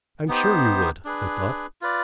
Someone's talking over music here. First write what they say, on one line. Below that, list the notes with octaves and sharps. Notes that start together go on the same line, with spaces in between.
"I'm sure you would," I thought.
B3 D#4 G4 C5
D4 G#4 B4
F4 B4 D5